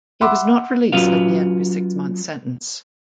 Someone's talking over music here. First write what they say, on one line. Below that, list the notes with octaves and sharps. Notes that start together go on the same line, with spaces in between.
He was not released at the end of his six month sentence.
E5 F#5 B5 C6 D6 E6
F#3 C#4 F4 F#4 B4 F5